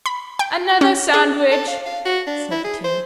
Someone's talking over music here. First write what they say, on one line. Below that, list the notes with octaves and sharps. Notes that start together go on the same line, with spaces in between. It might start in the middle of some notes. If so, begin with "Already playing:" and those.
'Another sandwich!' said the King.
B5
G5
C#4
G#4
A4
F5
F5
F#4
D4
E4
G#4
C5